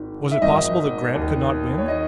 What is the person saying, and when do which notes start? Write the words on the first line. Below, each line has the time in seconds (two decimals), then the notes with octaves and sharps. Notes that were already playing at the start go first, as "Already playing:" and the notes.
Was it possible that Grant could not win?
Already playing: G#1 G#2 D#3
0.31 E5
0.41 G#1 G#2 D#3 D#5
1.15 D#2 D#3
1.78 C#5
1.88 D#3 D#5